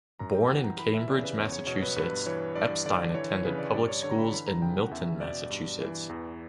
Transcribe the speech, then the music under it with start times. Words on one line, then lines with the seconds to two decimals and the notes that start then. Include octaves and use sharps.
Born in Cambridge, Massachusetts, Epstein attended public schools in Milton, Massachusetts.
0.19 F#2 A#5
0.35 G5
0.50 E3 F#5
0.64 A#5
0.79 E3 B5
0.94 E5
1.08 C#3 D5
1.24 B4
1.39 E2 C#5
1.52 C#5
1.67 B2 C#5
1.82 B4
1.96 G2 B4
2.26 E3 C#5
2.55 G2 D5
2.85 D3 D5
3.15 E3 C#5
3.30 C#5
3.44 C#3 B4
3.59 D5
3.74 G2 D5
3.88 C#5
4.03 D3 C#5
4.11 A#5
4.18 B5
4.32 E3 B5
4.47 A#5
4.62 C#3 G5
4.78 F#5
4.91 E2 E5
5.21 B2 D5
5.50 G2
5.80 E3
6.09 E2